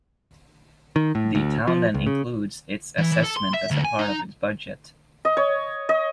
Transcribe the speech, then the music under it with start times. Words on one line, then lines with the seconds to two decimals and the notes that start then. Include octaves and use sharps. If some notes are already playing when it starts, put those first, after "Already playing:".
The town then includes its assessment as part of its budget.
0.96 D#3
1.15 A2
1.35 D2
1.67 F3
1.94 C#2
2.06 C#3
2.98 E3
3.12 E3
3.24 A4
3.37 C6
3.54 E5
3.71 D2
3.84 G#5
3.99 D#4
5.25 D#5
5.37 C#5
5.89 D#5